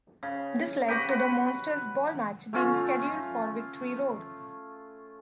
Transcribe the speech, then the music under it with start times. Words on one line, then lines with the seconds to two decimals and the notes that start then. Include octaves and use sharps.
This led to the Monster's Ball match being scheduled for Victory Road.
0.23 C#3
0.88 F#4 G4 B4 G5
1.09 B4 F#5 B5 C6
2.53 A3 C#4 F4